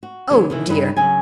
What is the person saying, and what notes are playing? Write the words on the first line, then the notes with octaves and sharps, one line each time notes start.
Oh dear!
F#4
D#2 C#3 F#3
B2 D#3 E3
G2 C#3 G3 D4 D#4 B4
C#3 F#3 G#5